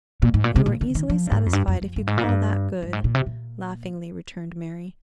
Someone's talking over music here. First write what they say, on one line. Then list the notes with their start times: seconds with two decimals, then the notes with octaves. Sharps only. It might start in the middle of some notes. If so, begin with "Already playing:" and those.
"You are easily satisfied if you call that good," laughingly returned Mary.
0.22 A#2
0.34 G#2
0.44 A#2
0.56 C3
0.66 A#2
0.81 D3
0.95 D#3
1.10 F3
1.27 G2
1.32 G#2
1.46 F2
1.53 G2
1.68 F2
1.82 F2
1.96 G2
2.07 G#2
2.18 A#2
2.24 G#2
2.29 G2
2.83 G2
2.93 G#2
3.04 A#2
3.15 C3
3.26 A#2